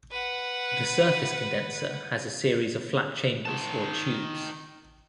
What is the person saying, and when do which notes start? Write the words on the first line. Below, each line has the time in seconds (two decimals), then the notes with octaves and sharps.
The surface-condenser has a series of flat chambers or tubes.
0.11 B4 F#5
3.45 D#3 A5